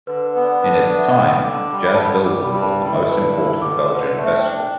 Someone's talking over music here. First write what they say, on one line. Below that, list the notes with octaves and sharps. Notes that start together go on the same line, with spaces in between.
In its time Jazz Bilzen was the most important Belgian festival.
D3 B4
B4
B3
D5
D4 B4
B4
D5
B3
E5
D3 G5
D3 D6
G3 D6
B5
D3 A5
B5
G3 D6
B5
G2
A5
E4 G5
D5
E5
G2 B4
D5
E4
D3 D6
D3 B4
D5
A3
E5
G5
D4 E5
G5